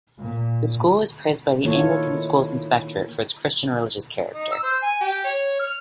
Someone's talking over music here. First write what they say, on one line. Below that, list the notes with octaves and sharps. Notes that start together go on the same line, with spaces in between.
The school was praised by the Anglican schools inspectorate for its Christian religious character.
A#2
D#3 A#3 E4 F4 A4 C#5
D#4
E6
C5
G#5
G4
C#5
F6